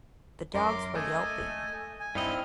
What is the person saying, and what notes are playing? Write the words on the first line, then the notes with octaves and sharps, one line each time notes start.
The dogs were yelping.
F#2 A#4 C6 D6
A3 D#5 G#5
G#5
G2 C4 D#4 E4 D#5 F6